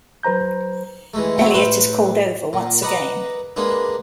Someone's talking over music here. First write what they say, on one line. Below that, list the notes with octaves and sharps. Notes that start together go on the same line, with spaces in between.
Eliot is called over once again.
F#3 B4 C5 A#5 G6
E3 G#3 A3
F#3 A3 C4
A2 B4 C5 C6
A#2
B4 D5 D#5 F#5 A#5
G#3 A#3 B3 D4